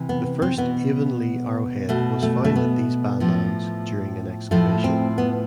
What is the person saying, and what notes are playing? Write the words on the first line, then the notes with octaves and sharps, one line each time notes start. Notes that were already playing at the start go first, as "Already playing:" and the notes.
The first Avonlea Arrowhead was found at these badlands during an excavation.
Already playing: C3 E3
B3
C4
B2 B3
B2 A3
A3
A3
B3
A2 F3
A2 F3 A3
C4
B3